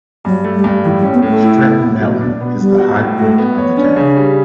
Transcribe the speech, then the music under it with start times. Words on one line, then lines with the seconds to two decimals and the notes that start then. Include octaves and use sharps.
Stratton Mountain is the high point of the town.
0.25 G2 F#3
0.44 A3
0.54 G3
0.64 G2
0.84 A2 E3
0.98 G3
1.03 C#4
1.14 B3
1.22 A2
1.27 A3
1.43 E4
1.62 B3
1.82 B3
2.00 F#3
2.21 D4
2.41 B3
2.60 G3 B3
2.79 F#4
2.98 A2
3.18 A3 F#4
3.38 B3
3.58 C#5
3.77 C#4 D4
3.96 C#3
4.16 G3